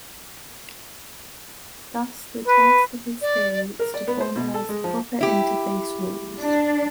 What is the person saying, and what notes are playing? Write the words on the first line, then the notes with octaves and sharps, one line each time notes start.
Thus, the task of his theory is to formalize the proper interface rules.
B4
D5
A#4
D5
B3
C5
B2
A4
G#3
F3
E4 G4
D4